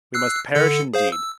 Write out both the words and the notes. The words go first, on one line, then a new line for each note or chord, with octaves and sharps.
We must perish indeed.
E6 F#6 C7
D3 A4 C#7
G#4 C5 F5
E6